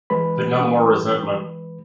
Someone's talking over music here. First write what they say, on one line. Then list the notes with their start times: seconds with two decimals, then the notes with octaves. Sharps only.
But no more resentment.
0.10 E3 G#3 B4 B5